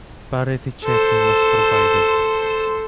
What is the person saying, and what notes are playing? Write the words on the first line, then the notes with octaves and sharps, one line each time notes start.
Parity checking was provided.
A4 C5